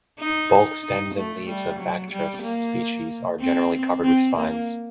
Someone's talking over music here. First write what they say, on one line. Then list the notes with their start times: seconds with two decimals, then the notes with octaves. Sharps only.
Both stems and leaves of "Bactris" species are generally covered with spines.
0.19 D#4
0.84 D#4
1.15 A3
1.47 G3
1.80 F#3
2.11 G3
2.43 A#3
3.40 C4
4.03 C4
4.36 A#3